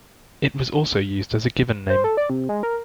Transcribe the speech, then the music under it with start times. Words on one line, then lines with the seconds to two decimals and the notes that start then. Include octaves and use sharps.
It was also used as a given name.
1.89 C5
2.04 A4
2.17 D5
2.30 C3
2.49 G#3
2.63 A#4